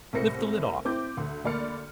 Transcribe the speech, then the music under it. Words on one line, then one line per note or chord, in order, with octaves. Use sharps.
"Lift the lid off!"
C2 A2 A#4 C5 A#6 C#7
C4 E4 D6 G6
D2
D2 A#3 D5 B5 F6 C#7